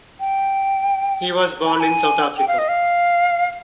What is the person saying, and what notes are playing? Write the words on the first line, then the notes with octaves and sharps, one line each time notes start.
He was born in South Africa.
G5
G#5
B5
G#5
G5
F5
D#5
F5